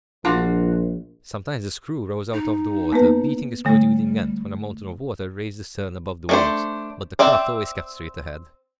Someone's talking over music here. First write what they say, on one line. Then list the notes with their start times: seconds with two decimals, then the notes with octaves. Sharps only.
Sometimes the screw rose out of the water, beating its protruding end, when a mountain of water raised the stern above the waves; but the craft always kept straight ahead.
0.25 A#1 D4 F4 F#4
2.33 D#4
2.92 A#3 B3 B4
3.65 D3 G3 A3
6.29 A3 D4 C5
7.19 C4 D5 E5 G5